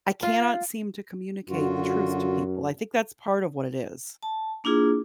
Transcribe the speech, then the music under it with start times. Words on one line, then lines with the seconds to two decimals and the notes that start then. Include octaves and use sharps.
I cannot seem to communicate the truth to people. I think that's part of what it is.
0.23 F4
1.49 F#2 D3 F4 F#4
4.23 A5
4.64 A#3 D4 E4 F4 G#4 D6